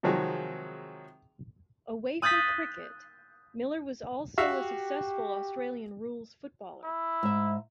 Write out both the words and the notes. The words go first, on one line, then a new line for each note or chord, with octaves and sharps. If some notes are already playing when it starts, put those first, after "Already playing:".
Away from cricket, Miller was also a successful Australian rules footballer.
C3 D#3 F3 F#3 G#3 G#4
D#6 F#6 G6 A6 B6
F#4 G4 E5 F5
E4
G#2 E5